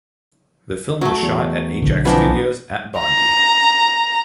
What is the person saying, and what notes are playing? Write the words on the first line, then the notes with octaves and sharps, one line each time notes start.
The film was shot at Ajax Studios at Bondi.
F#3 A3
E2
B1 D3
F2 E3 F3 B3 D4 D#4
A#5